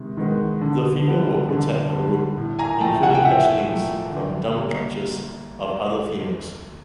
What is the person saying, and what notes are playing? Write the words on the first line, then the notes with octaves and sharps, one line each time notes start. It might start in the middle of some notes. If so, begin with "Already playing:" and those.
The female will protect her brood, including hatchlings from dump clutches of other females.
Already playing: C3 D#3 G#3
D#3 G#3 B3
D3
G3 B3
D3
G3 B3
A2
G#5 A#5
F3 A3 G5 A5
F#5 G#5
G5
A2 E5 F#5
F3 A3
D3
G3 A#3